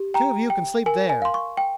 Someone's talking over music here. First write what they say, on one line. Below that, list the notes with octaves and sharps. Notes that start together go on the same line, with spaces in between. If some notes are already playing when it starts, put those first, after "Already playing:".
"Two of you can sleep there."
Already playing: G4
G5 A#5
G5
A#4 G#5
G#5
F5 C6
C#6
G5